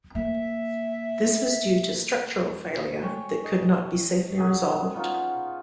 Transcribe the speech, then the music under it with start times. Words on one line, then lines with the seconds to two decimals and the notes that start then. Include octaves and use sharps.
This was due to structural failure that could not be safely resolved.
0.15 A#3 E5
3.01 C#5 G5 G#5 C#6
3.44 D#5
4.38 F#3 G#4
4.94 B3 C#4 D#4 F4